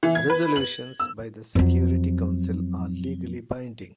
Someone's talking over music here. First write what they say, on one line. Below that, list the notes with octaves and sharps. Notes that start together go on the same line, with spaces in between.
Resolutions by the Security Council are legally binding.
E3
G#6
B4
F#7
E6
F2 F#3